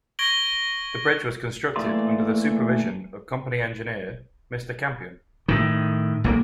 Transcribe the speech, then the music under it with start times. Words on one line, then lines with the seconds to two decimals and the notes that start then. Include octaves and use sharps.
The bridge was constructed under the supervision of the company engineer, Mr. Campion.
0.19 C#6 G#6 A#6 D7 F#7 G7
1.76 E3 A3 A#3 D5 C6
5.48 A2 D#3
6.24 B1 G3 A#3